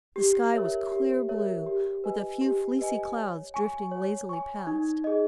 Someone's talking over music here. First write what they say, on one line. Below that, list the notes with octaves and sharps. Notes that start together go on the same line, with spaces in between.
The sky was clear blue, with a few fleecy clouds drifting lazily past.
G4
A#4 C#5 E5
G4
A#4 C#5 E5
G4
B4 D#5 G#5
G4
B4 D#5 G#5
C#5
G#5 C#6
C#5
G#5 C#6
D#4
G#4 D#5